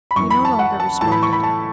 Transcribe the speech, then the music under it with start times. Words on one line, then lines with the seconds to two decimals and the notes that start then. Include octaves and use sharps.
He no longer responded.
0.11 B5
0.16 F#2 E3 C#6
0.31 B5
0.45 A5
0.59 F#5
0.80 A5
1.01 A2 E3 A5
1.12 B5
1.23 C#6
1.33 B5
1.43 A5